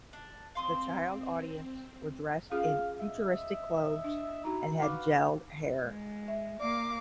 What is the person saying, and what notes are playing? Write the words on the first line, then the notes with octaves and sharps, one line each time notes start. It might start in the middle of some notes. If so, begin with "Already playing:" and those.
The child audience were dressed in futuristic clothes and had gelled hair.
D4
C4 F5 C6 D#6
C#4 F4 G#4 F5
D#5 E5
D4
D#4 E4 F#4 A#5
D#4 F#4 B4 F5 D6
G#3
E5
A#3 D5 F5 D6